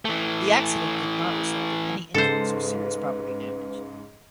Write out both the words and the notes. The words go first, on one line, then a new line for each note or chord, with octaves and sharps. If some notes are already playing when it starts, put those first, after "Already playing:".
The accident did not result in any injuries or serious property damage.
E3 A3
G#2 C#3 A4 B4 C5